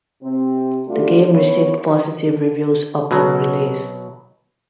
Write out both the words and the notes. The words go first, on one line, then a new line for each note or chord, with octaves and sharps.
The game received positive reviews upon release.
C3 C4
G3 A3 D4 F4 F#4
B3 C#4 E4 C#5
B2 F#3